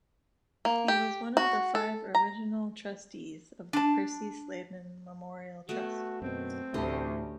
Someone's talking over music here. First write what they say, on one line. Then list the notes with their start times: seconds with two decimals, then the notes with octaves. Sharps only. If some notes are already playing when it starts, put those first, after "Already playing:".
He was one of the five original Trustees of the Percy Sladen Memorial Trust.
0.65 A#3
0.88 G4
1.37 F#4
1.75 A4
2.15 A#5
3.73 D4 A5
5.69 A3 B3 F#4
6.22 F#2 B2 C4
6.74 D2 A2 D3 E3 C#4 G4 D#5